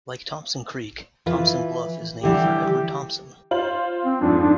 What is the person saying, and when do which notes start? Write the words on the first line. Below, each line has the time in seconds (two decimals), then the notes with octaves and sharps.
Like Thompson Creek, Thompson Bluff is named for Edward Thompson.
1.26 E3 F4 B4
2.23 D3 E3 G3 G4
3.51 F4 C5 F#7
4.05 C4
4.21 F2 G#2 F3 D4
4.41 D4